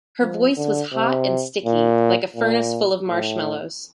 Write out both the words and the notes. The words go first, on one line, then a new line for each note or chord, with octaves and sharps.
Her voice was hot and sticky--like a furnace full of marshmallows.
F3
D3
C3
A#2
A#2
A2